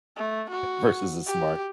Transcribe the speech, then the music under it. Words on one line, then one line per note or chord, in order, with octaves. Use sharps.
Versus the smart
A3
F#4
G4